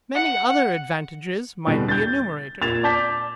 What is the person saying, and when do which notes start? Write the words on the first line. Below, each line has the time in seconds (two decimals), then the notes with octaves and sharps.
Many other advantages might be enumerated.
0.15 F#5
1.67 E2 B2 D3 G3
1.88 G6 A6
2.62 A#2 G#6 A6 E7 F7
2.83 D5 A5 D6 G6 B6